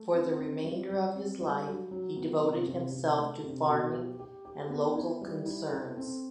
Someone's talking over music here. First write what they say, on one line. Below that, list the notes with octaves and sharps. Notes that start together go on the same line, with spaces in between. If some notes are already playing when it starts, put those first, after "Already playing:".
For the remainder of his life he devoted himself to farming and local concerns.
Already playing: A3
C4
C4
G3
G3
C4
G3
F#3
F#3
B3
C3
C3
C3
A3
C3
B2
G4
G4
G4
B3
E4
G3
E4
A4
C4